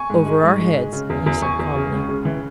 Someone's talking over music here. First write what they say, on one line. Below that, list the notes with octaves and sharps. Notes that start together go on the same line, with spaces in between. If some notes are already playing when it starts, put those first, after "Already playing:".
"Over our heads," he said calmly.
Already playing: G#5 C#6
G#2
G#3
G#2
G#3
G#3
C#3
E2
E2
E2 G#5 C#6
E2
C#3
C#2
C#3
E3